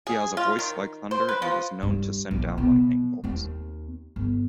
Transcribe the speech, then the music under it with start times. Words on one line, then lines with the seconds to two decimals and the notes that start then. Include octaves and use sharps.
He has a voice like thunder and is known to send down lightning bolts.
0.07 G#4
0.37 F4
0.59 D#3
1.11 C5
1.29 B4
1.42 F3
1.83 G2
2.31 A#1
2.58 B2
3.24 D#2 C4
4.16 G1